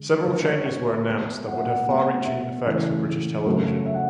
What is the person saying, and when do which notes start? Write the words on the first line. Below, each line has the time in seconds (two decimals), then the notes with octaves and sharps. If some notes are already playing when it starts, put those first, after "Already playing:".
Several changes were announced that would have far-reaching effects for British television.
Already playing: D3 G#3
0.25 D3 G#3 B4
0.45 C#5
0.65 C#5
0.86 E5
1.06 B2 G#3
1.46 F#5
1.54 E5
1.63 F#5
1.86 B2 A3
2.25 E5
2.66 C#3 E3 A3
3.46 C#3 F#3 A3
3.86 E5
3.94 F#5